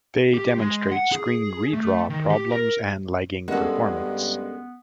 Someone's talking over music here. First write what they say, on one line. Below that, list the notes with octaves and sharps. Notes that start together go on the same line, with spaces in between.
They demonstrate screen redraw problems and lagging performance.
G4
G#3
F#5
G#4
A3
D#3
G4
A#4
G2 G#3 A#3 B3 C#4 F#4 A4